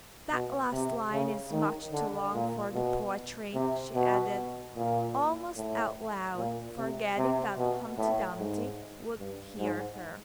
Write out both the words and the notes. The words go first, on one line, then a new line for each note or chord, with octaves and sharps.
'That last line is much too long for the poetry,' she added, almost out loud, forgetting that Humpty Dumpty would hear her.
B2
C3
C#3
D#3
D3
A#2
B2
C3
B2
A#2
A2
A#2
C3
C3
B2
A2
G#2
G2
G#2